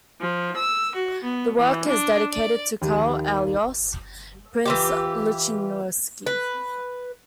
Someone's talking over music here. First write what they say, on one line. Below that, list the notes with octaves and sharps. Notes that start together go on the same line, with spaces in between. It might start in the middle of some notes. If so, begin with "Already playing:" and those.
The work is dedicated to Karl Alois, Prince Lichnowsky.
F3
E6
F#4
B3
E3
D4
D5
D#2
E3 F4 G4
B4